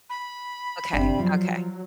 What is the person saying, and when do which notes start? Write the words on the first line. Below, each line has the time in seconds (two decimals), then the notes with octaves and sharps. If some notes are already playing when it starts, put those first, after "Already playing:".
Okay, okay.
0.10 B5
0.93 G1 C3 D4
1.19 F3 F#3